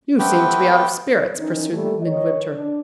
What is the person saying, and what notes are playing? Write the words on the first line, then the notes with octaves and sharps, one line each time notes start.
"You seem to be out of spirits?" pursued Midwinter.
A3 B3 C4 G4 B4 G5
D#3 E3 C#4 D#4
A#2 D#3 G3 A3
D#3 C#5 D#5
D4